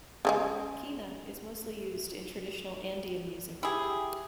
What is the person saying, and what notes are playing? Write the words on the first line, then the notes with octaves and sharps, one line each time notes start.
Quena is mostly used in traditional Andean music.
C#3 F3 G#3
E4 G4 G#4